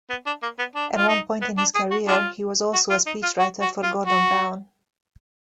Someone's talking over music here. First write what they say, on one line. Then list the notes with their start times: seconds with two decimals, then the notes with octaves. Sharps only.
At one point in his career he was also a speechwriter for Gordon Brown.
0.10 B3
0.26 D4
0.42 A#3
0.58 B3
0.75 D4
0.97 F4
1.08 D#4
1.41 B3
1.58 D4
1.75 G#4
1.91 F#4
2.07 G#3 D4 F4
2.73 F#4
2.90 F4
3.06 D#4
3.23 F4
3.39 F#4
3.61 F#4
3.83 F4
4.05 F#4